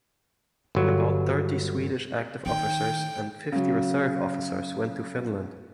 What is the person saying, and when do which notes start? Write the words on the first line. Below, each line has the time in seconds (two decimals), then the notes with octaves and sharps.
About thirty Swedish active officers and fifty reserve officers went to Finland.
0.75 G1 F#3
2.46 D#3 G5
3.52 C#3 F#3